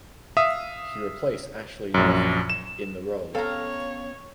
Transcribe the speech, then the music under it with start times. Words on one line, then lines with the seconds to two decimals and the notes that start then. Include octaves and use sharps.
He replaced Ashley Noffke in the role.
0.37 E5 F5 D#6
1.94 A#1 F#2
2.50 E7
3.35 B3 C#4 A4 C#5 F5 G5 A#5